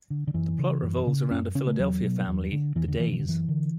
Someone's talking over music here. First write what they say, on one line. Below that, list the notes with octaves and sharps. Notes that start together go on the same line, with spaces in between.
The plot revolves around a Philadelphia family, the Days.
D3
D3
F#2 E3
C#3
F#2
C#3
F#2 C#4
C#3 C#4
A3
E2 F#3
B2
E2
D3
E2 E3
D3
B2 E3
E3
D3
F#2 E3
D3